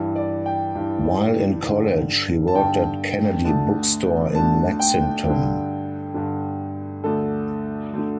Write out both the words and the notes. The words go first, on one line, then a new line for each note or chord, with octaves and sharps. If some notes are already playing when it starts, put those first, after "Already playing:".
While in college, he worked at Kennedy Book Store in Lexington.
Already playing: G2 E3
D5
G5
G2 E3
G2 D3
A5
G2 D3 G5
D2 D3 A5
D2 D3 A5
G5
G2 D3
G2 D3
D2 D3 A4
D2 D3